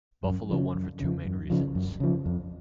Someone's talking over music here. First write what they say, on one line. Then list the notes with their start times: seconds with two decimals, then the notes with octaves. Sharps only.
Buffalo won for two main reasons.
0.24 F#2
0.49 C#3 F3
0.75 F#2
1.00 C#3 F3
1.25 F#2
1.50 C#3 F3
1.75 F#2
2.00 C#3 F3
2.26 F2